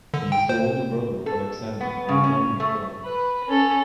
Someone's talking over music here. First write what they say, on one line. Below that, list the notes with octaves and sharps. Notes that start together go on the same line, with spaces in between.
He is the older brother of Alexander and Dominique Dunne.
D3
G5
C5
A4
B3
C#3
C#4
A3
B4
C#4 A4